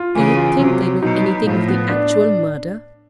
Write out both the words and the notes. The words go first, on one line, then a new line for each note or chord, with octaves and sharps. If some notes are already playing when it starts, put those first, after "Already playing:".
"Do you think they know anything of the actual murder?"
Already playing: F4
C#3 E3
F4
C3 F#3
F#3
B2 D#4
D#4
A2 F3
B3
D4